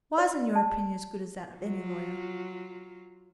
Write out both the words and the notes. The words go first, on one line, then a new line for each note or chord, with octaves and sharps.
"Why isn't your opinion as good as that of any lawyer?"
D5
A5
F#3 F4